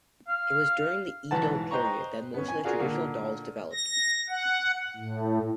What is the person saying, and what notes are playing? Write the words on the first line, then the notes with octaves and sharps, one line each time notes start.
It was during the Edo period that most of the traditional dolls developed.
F5
B1 G#2 E3 F#5 A5
B4 C5 D#5 G5 A#5 C#6
B3 C#4
G#5
F4 F#4 G#4 A#4 D5 F5
A#2 D3 D#3
A#6
F#5
A2